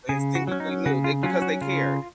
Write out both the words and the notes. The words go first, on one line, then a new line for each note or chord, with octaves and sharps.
they instinctively knew. They because they cared.
C#3 G#4
F#4
F#3 C#4
D#4
C#3 F#4
F4
F#3 C#4 F4
F#4
C#3 F4